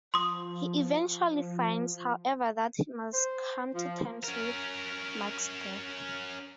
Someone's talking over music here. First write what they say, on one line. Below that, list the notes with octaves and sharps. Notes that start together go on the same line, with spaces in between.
He eventually finds, however, that he must come to terms with Mark's death.
F3 C6 D#6
C5
F3
C#4 A#4